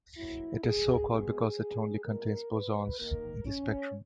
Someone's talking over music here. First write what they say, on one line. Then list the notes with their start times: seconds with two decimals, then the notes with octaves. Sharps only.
It is so called because it only contains bosons in the spectrum.
0.16 B2 F#3 A#3 E4
0.63 G#4
1.10 B2 G#3 B3 G#4
2.05 A#2 G#3 B3 A#4
2.51 B4
2.99 D#3 A#3 A#4
3.46 C#4